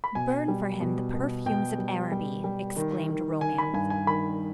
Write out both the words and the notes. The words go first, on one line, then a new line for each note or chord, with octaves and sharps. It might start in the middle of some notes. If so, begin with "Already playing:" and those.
Burn for him the perfumes of Araby! exclaimed romance.
B5
B2 G#5
G3
B2
B2
B2 G5
G3
G3
G3
D#3
D#3
D#3 G#5
B5
G2 G#5
G#5
D#3 B5